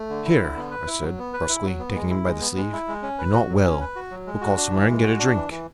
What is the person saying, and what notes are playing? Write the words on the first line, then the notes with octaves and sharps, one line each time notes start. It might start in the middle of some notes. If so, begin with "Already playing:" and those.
"Here," I said brusquely, taking him by the sleeve, "you're not well. We'll call somewhere and get a drink."
Already playing: A3
D3
E4
D3
B3
B4
E4
F#3
B3
B4
E4
F#3
B3
G#3
E4
G#3
B3
G#3
E4
G#3
C#4
B4
F#4
F#3
C#4
B4
F#4
F#3
G#3
F#4
D4
E3
G#3
F#4
D4
E3
E3